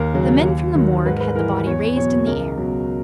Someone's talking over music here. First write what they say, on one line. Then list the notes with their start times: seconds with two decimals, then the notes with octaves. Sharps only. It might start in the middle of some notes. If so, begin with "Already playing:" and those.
The men from the morgue had the body raised in the air.
Already playing: D#2 A#4
0.14 C#3 F#3
0.45 D#2
0.75 D#3 F#3
1.06 G#2 B4
1.17 A#4
1.20 B4
1.36 E3 A#4
1.51 A#4
1.66 E2 C#5
1.96 B2 F#3 C#5
2.27 C#2 A#4
2.58 B2 F#3